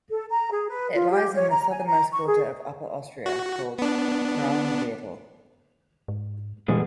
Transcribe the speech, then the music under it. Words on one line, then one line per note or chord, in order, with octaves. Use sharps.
It lies in the southernmost quarter of Upper Austria called "Traunviertel".
A4
A#5
G#4
B4
F4
G4
C#5
A#5
G#5
A#5
C#6
G#4
F#4
B3 D4
G#2
E2 A#2 G3 G#3